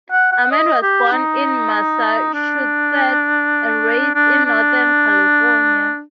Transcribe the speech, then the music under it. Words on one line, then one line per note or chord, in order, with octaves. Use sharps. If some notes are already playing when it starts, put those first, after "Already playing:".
Amend was born in Massachusetts and raised in Northern California.
F#5
F#5
D#5
G4
D#4
D4
D4
D4